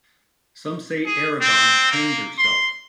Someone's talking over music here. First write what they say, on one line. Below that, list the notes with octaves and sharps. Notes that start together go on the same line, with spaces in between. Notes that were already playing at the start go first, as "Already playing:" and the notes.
Some say Erigone hanged herself.
G#4
C4
A#3
C6